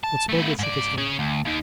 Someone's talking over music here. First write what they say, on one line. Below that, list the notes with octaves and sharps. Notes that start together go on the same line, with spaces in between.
But Spargo shook his head.
A5
A3 B3
G#2 D5
C#4 G#4
D2
D#2 D#3